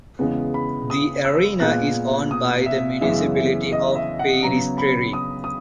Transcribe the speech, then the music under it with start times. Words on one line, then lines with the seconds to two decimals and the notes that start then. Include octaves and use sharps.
The arena is owned by the municipality of Peristeri.
0.19 E2 C#3 E3 G#3 B3
0.54 B5
0.90 D#6
1.25 E6
1.60 A#2 G#3 B3 F#6
2.31 D#6
2.66 E5
3.01 F#2 C#3 E3 G#3 B3 E5
3.37 E5
3.72 D#5
3.95 E5
4.19 F#5
4.43 C#3 F#3 B3 A#5
4.78 B5
5.13 D#6
5.44 D#6